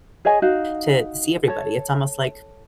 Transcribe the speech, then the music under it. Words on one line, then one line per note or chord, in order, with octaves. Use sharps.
to see everybody, it's almost like
G#4 C#5 D#5 G#5
D#4 F#4 F5
A4 C#5